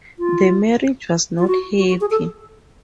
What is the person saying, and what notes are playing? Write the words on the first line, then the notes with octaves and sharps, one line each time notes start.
The marriage was not happy.
F4
F4
F#4
F#4
F#4
G#4
A4